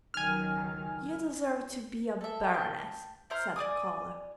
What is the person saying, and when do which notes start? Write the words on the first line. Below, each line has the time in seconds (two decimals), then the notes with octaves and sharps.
"You deserve to be a baroness," said the collar.
0.14 C#2 D#3 F#3 G#5 F6
2.21 A4 E5
2.54 G5 A5
3.30 E4 C5 A#5 F6
3.56 D5 G#5 D6 D#6